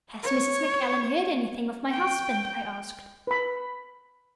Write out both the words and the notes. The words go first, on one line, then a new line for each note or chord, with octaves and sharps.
"Has Mrs. Macallan heard anything of my husband?" I asked.
C#5
G5
B4 B5